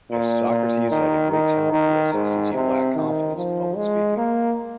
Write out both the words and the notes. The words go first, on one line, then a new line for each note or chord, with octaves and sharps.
Isocrates had a great talent for this since he lacked confidence in public speaking.
A#2
A#2
D#3
D#3
D#3
G#2
C3
D#3
F3
G#3
A#3